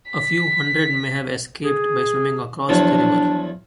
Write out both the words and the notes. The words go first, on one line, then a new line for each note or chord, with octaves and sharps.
A few hundred may have escaped by swimming across the river.
B6
G#4
E2 F3 F#3 D4